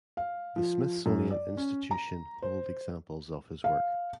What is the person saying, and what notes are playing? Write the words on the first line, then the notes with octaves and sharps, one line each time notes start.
The Smithsonian Institution hold examples of his work.
F5
F3
F#2
D5
C#4
A#5
C5
F5